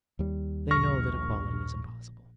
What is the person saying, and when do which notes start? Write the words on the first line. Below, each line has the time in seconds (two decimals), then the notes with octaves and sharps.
They know that equality is impossible.
0.19 D#2 G3
0.71 A#1 C#6 F6 A#6